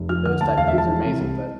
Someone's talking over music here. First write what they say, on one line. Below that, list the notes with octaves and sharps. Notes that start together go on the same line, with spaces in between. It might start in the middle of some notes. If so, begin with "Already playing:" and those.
those type of things are amazing, but
Already playing: F1
F3 F6
D3 F6
D2 A5
E1 F5
E5
F3
A5
E3
C3
C2